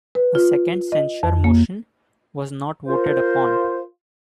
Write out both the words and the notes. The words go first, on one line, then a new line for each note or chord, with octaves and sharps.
A second censure motion was not voted upon.
B4
F4
D#5
F2
A#3
F4 A#4 C5